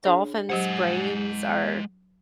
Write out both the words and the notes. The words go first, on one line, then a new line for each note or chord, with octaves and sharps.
dolphins' brains are
D4 G#4 C#5
F#3 G#3 G4 C5 F#5